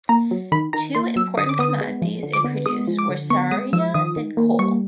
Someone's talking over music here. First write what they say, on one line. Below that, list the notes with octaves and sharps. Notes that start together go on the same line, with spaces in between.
Two important commodities it produced were saria and coal.
A#3 A#5
F#3
D#3 B5
D#3 A#5
A#3 C6
F#3 E6
D3 D#6
D6
B3 D#6
G#3
F3
D3
D6
B3
G#3 D#6
F3
D6
D3
B3 C#6
G#3 D#6
F3 E6
D#3 D#6
D#3
A#3
G3 C#6